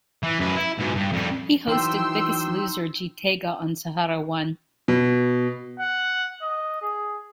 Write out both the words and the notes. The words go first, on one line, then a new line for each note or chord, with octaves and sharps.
He hosted "Biggest Loser Jeetega" on Sahara One.
E3
F#2 B4
E4
G#2 B2
G2
F2 G3
E3 F#3 D#4 G5 C6 E6
B2
F#5
D#5
G#4